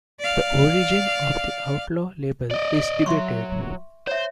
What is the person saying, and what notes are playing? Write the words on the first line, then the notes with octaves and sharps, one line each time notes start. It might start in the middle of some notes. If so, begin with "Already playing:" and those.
The origin of the outlaw label is debated.
D5 F5
D5 D#5
F#3 E5 C6 C#6
C5 C#5 E5